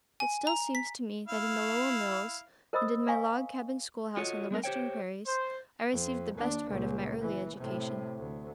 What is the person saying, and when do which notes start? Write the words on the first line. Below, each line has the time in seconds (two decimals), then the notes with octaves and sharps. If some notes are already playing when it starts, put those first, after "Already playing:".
It still seems to me that in the Lowell mills, and in my log-cabin schoolhouse on the Western prairies, I received the best part of my early education.
0.20 G#5
0.47 A#5
0.75 B6
1.28 E4 F5
2.73 A#4 C5 D#5 B5 D#6 E6
3.08 F5 G#5 C#6
4.17 F4 F#4 A4 C#5 D#5
4.51 G3 B3 D4 A#4
4.64 G4 C5 C#5 G5
5.26 C5
5.92 F2
6.35 D#2 D4
6.67 C#2 A#2
7.20 E3
7.58 A2 C3
8.18 D2